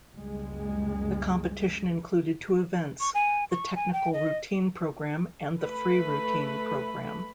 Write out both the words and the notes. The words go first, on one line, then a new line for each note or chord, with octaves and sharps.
The competition included two events, the technical routine program and the free routine program.
F#1 C#2 G3 G#3
C#6
G#5
C#6
G#5
G5
D#5
A3 B4 B5